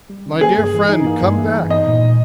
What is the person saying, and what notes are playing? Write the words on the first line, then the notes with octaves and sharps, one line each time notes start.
My dear friend, come back!
G3
C#3
A#3 G#4
G2
E3
D#4
A#3
G2
E3
D#4
B3 D#5
A#2
G#3